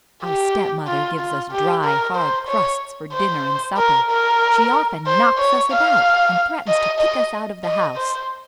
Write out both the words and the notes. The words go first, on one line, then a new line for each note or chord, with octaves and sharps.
Our stepmother gives us dry hard crusts for dinner and supper; she often knocks us about, and threatens to kick us out of the house.
G4
F4
F4
G4
A#4
C5
C#5
C5
A#4
A#4
C5
C#5
F5
D#5
D#5
D#5
C5